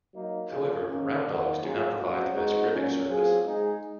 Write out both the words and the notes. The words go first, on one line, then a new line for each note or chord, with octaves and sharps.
However round dogs do not provide the best gripping surface.
F#3 A#3 D#4
A#2 F3 A#3 F4 G#4
D#3 A#3 C#4
D#3 A#3 D#4 F#4
A#2 F#3 A#3 F4 G#4
F#3 C#4 F#4
G#3 C4 D#4 F#4
A#2 F#3 C#4
F#3 C4 F4 G#4
G#3 D#4 G#4